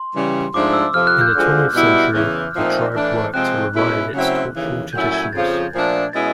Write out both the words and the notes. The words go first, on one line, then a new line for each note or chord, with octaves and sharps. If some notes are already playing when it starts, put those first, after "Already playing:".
In the twentieth century, the tribe worked to revive its cultural traditions.
Already playing: C6
C#3 E3 G3
G#2 F3 A3 D4 D6
E6
F2 C3 F3 F6
F#6
G6
D2 D3 F3 G#3
B2 G3 B3 E4 F#6
E2 C#3 E3
A#2 F3 A3 C4 D#4 F6
A2 E3 A3 D4
C3 F3 G#3 C4 F#6
B2 G#3 C#4 E4
C#3 F#3 A3 C4 E4
D#2 C#3 E3
A#2 F#3 A3 C#4 E4 G6
G#6
F2 C#3 F3 A6
A#2 F3 A3 D4
B2 G#3 C#4 E4 A6